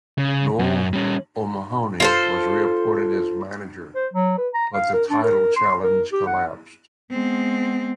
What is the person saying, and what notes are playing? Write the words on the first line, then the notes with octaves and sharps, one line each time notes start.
Noel O'Mahony was re-appointed as manager but the title challenge collapsed.
C#3
F#2
G3 C#4
F4 A4 C5
C5
F#3
B4
A#5
F5
A#4
D4
A#4
C6
A#4
G4
F#5
G#3 B3 C4